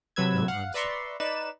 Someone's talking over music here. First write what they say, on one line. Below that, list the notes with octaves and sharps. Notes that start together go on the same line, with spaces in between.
No answer!
C3 F#3 B4 E6 G#6
F5 F#5
B4 D5 E5 A#5 C6 C#6
D#4 B4 D5 E7